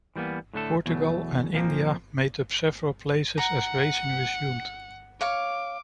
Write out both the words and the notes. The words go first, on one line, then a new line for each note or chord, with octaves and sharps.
Portugal and India made up several places as racing resumed.
E3 G3 A#3 B3
A2 D3 A3 A4
E2 B2 F#3 A3
F2 A#2 D3 F3 A#3
F#5 A#5
C#5 F5 C#6 D6